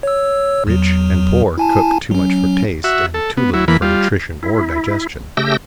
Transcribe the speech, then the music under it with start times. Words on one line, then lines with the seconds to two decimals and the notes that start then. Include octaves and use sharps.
Rich and poor cook too much for taste and too little for nutrition or digestion.
0.03 C#5 E6
0.67 E2 F#3
1.58 E4 G#5 A5
2.11 F#3 C#4
2.84 F#4 E5
3.14 A4
3.37 B3
3.54 F#3 E4
3.68 E2 E3 A#3 B5
3.82 G3 F4
4.43 E4
5.37 C#3 A3 G4 E6 G6 A#6